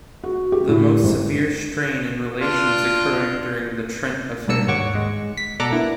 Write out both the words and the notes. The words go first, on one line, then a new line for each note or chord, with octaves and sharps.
The most severe strain in relations occurring during the Trent Affair.
F#4
G4
A2
G#1
D4 F4
B2 G3 A#3 D4 E6 C#7
D#2 G#2 C#5 F#5 C#6 D6
G#3
B6
B2 A4 D5 F#5 A#5 D6
A#3 B3 D4 E4